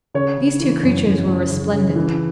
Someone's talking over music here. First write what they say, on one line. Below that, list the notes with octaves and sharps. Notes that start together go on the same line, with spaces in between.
These two creatures were resplendent.
C#3 C#5
C#3
E3
F#2
F#2
F#2
C#3
C#3
E3